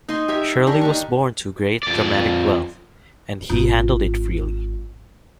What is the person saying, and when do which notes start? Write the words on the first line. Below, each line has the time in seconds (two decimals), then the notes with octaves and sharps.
Shirley was born to great dramatic wealth, and he handled it freely.
0.09 D#4 D#5 G#5 C6
0.28 G4 A#4 C#5 E5
0.67 D4 G4 A#4
0.81 D#3 D4 C#6
1.83 F2 D5
3.50 G#1 F4